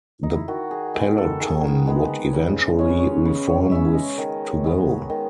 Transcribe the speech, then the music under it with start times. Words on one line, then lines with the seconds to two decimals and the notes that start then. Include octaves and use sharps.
The peloton would eventually reform with to go.
0.23 D#4
0.35 E4
0.48 D#3 F#4
0.71 G#4
0.94 G#3 B3
1.18 A4
1.40 D#3 G#4
1.87 G#3 B3
2.33 C#3
2.79 G#3 C#4 C#5
2.89 B4
2.99 C#5
3.25 C#3 B4
3.49 C#5
3.71 G#3 C#4 E5
3.94 D#5
4.18 D#3
4.64 G#3 B3
5.10 D#3